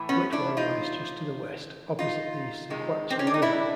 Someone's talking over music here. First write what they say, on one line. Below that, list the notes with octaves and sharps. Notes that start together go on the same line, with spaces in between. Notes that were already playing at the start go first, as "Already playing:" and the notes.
Whitwell lies just to the west, opposite the Sequatchie River.
Already playing: A2 E3 A3
B3 C#4
D4 E4
D#4 F4
D#4 F4
C3 D#3 G#3
C4
C#4
D4
D#4
D4 E4